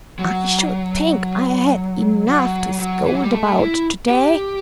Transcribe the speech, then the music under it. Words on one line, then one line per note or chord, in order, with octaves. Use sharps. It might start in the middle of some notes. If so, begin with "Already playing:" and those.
I should think I had enough to scold about to-day!
F#3
F#3
F#3
E3
F#3
G3
A3
E4
G4